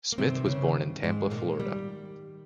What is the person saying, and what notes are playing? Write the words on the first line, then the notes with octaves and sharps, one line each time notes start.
Smith was born in Tampa, Florida.
A#3
G2 C3 D#3 C4
C#3 C#4
G#2 G#3
A#2 A#3
G3